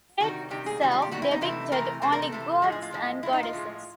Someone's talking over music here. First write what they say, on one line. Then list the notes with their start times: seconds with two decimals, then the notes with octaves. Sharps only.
The gate itself depicted only gods and goddesses.
0.20 C3 D#3 G3 F#4
0.50 C3 D#3 G3 G4
0.66 G#4
0.81 C3 D#3 G3 F#4
0.92 F4
1.02 G4
1.11 C3 D#3 G3 F#4
1.22 E4
1.31 D#4
1.41 C3 E3 A3 E4
1.72 C3 E3 A3 A#4
2.02 C3 E3 A3 C5
2.12 A#4
2.22 A4
2.32 C3 E3 A3
2.62 A2 F3 G#3
2.72 G#4
2.82 F4
2.92 A2 F3 G#3
3.23 A2 F3 G#3 E4
3.33 D#4
3.43 F4
3.53 A2 F3 G#3